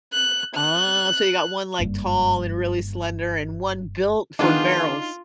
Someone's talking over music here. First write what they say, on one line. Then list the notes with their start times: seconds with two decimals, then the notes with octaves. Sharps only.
Ah, so you got one like, tall and really slender, and one built for barrels.
0.13 F#6
0.55 F#6
1.79 F#1 G2
4.39 D#3 B3 D4 D#4 F4 G#4